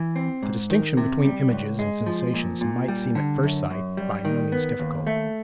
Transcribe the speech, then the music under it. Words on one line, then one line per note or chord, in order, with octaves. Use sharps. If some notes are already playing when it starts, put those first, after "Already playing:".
The distinction between images and sensations might seem at first sight by no means difficult.
Already playing: E3
C4
G#2
D#3
C3
G3
C#2
G#3
F3
A#2
A#2
G3
D3
F#2
F#2
G3
D#3
B3
D#2
A3